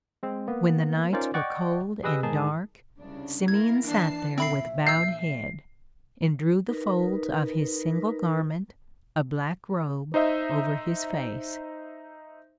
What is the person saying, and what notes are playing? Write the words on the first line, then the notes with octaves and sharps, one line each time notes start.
When the nights were cold and dark, Simeon sat there with bowed head, and drew the folds of his single garment, a black robe, over his face.
G#3 C4
A#3 B3
C#4 D#4 F4 A#4 C5 D5
D5 D#5 F#5 G5 C#6
G4 G#4 B4 D#5 D#6 E6
G#2 D#3 D#4 G#4 A5
C2 C#3 D4
A#3 E4 A#4 G#6
E3 D4 A5 C7
A#1 C4 E5 B5 C7
E6 G6 C7
D#4 A#4 B4
D#4 C5 D#5 E5